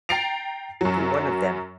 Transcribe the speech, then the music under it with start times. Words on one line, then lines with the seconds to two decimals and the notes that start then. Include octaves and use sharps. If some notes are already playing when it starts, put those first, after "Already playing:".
To one of them.
0.09 G5 A#5 A6 C7 D7 F7
0.81 F#2 F#3